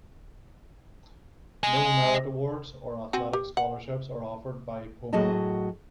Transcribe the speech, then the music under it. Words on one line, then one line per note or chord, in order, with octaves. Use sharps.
No merit awards or athletic scholarships are offered by Pomona.
D#5 G#5
C4 F#4 G#5
G4
F#5
A2 F#3 F#4 G#4 D#5 A5